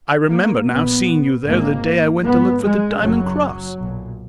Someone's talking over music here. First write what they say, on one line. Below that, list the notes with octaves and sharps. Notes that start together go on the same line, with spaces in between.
"I remember, now, seeing you there the day I went to look for the diamond cross."
A#3
A#1 A#2 B3
G#1 G#2 A#3
G#1 G#2 B3
G#3
F#1 F#2 C#3 F#3
B1 A#2